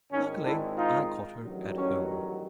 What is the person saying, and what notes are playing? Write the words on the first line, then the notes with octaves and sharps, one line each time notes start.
Luckily, I caught her at home.
G#1 G#2 D#3 G#3 C#4 D#4
D4 E4
D#4 F4
A1 G2 D#3 F#3
C#4